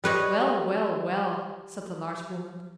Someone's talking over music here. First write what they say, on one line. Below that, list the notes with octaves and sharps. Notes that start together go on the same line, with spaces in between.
"Well, well, well!" said the large woman.
G3 B4 C#5 D#5